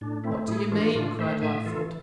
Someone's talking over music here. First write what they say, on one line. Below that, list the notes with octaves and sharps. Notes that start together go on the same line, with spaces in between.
"What do you mean?" cried Lightfoot.
A2 D4
A3 C4 E4
A2 E4 G#4
E3 D4 F4
A2 D4 F4
A3 C5 E5
A2 E5 G#5
E3 F4 A4